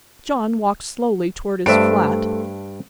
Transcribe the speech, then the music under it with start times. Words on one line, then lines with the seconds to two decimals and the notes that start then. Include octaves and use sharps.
John walked slowly toward his flat.
1.66 G2 A3 D4 C5 E5 D7